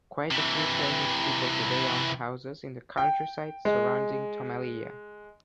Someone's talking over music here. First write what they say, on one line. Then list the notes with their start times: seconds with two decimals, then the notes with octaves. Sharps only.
Quite a few famous people today own houses in the countryside surrounding Tomelilla.
0.31 C3 E3
2.98 G5
3.65 G#3